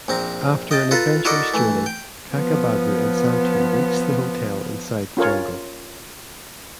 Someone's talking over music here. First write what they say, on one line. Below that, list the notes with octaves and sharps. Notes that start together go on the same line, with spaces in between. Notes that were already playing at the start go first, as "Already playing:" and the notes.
After an adventurous journey Kakababu and Santu reach the hotel inside the jungle.
A#1 C4 A#5
D#5 G5 A5
F4 A4 B4 F5 A#5
E4 F#4 A4 A#4 D5 D#5
E3 A3
G5
F3 B3
C#4 F4 A#4 C#5